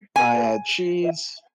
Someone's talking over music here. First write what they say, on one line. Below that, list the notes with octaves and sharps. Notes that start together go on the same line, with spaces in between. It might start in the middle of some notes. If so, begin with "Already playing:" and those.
I add cheese.
G#5